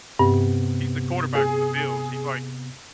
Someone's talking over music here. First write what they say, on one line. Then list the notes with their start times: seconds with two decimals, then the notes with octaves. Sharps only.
He's the quarterback for the Bills. He's, like
0.19 G2 C3 B3
1.35 G#4